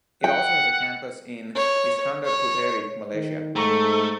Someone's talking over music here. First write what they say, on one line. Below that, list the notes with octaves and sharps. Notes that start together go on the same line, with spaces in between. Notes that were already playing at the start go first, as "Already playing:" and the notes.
It also has a campus in Iskandar Puteri, Malaysia.
F#5 G5
C#5
C#5
D#3
G#2 A3 A4 A#5 C#6